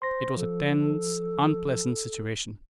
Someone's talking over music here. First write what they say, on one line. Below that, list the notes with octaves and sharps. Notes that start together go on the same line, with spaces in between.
It was a tense, unpleasant situation.
C5 C6 A#6
F3 A4